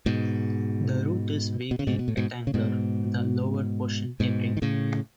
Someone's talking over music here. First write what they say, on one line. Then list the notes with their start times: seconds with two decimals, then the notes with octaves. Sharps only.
The root is vaguely rectangular, with the lower portion tapering.
0.06 G#2 B2
1.71 B2
1.79 C#3
1.87 G#2 B2
1.99 B2
2.08 A2
2.17 G#2 B2
2.47 C#3
2.54 G#2 B2
4.20 G#2 B2
4.57 D#3
4.62 A2 C#3